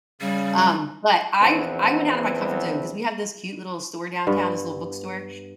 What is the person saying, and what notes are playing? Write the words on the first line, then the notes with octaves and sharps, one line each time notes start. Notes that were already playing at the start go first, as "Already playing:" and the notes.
Um, but I w I went outta my comfort zone 'cause we have this cute little store downtown, this little bookstore,
C#3 G3
A#1 E2 B3 C4
G2 B3